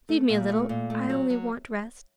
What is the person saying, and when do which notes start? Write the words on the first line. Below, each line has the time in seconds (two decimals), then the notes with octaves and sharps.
"Leave me a little--I only want rest."
0.09 A3
0.29 A#2
0.50 A3
0.69 A#2
0.90 A3
1.09 F#3
1.30 F#3